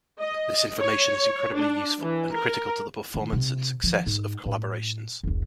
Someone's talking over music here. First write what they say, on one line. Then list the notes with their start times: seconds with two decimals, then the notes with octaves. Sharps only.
This information is incredibly useful and critical to the performance and success of collaborations.
0.21 D#5
0.80 C#5
1.55 D4
2.01 E3
2.35 A#4
3.14 A2 D#3
3.33 C3
3.83 D#3 F3
4.07 G#2
4.46 A2
5.23 F1 C#2